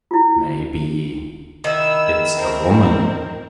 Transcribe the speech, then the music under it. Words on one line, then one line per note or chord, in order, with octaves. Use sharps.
Maybe it's a woman.
E4 F4
D#3 E4 E6
C4 A#4